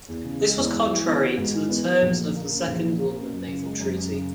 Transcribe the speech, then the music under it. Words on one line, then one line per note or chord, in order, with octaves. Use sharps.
This was contrary to the terms of the Second London Naval Treaty.
E2
C#3
G#3
E2
G#2
E3
B3
F#4
G#2
E3
B3
F#4
A#1
A#2
A#3
C#4
A#1
A#2
A#3
C#4
F#2
C#3
G#3
F#2
F#2
C#3